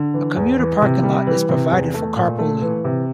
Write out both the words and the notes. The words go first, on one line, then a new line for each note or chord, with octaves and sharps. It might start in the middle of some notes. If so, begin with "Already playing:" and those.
A commuter parking lot is provided for carpooling.
Already playing: D3
E3
E2
E3
C3
G3
E3
C3
E2
A3
A#2
A3
E3
C3